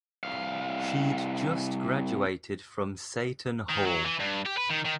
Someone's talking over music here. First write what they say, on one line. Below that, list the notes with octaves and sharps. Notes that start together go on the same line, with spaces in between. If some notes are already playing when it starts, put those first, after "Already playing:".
She'd just graduated from Seton Hall.
C2 F5
D#3
F#3
E3
G2
G4
B4
D#3
D#3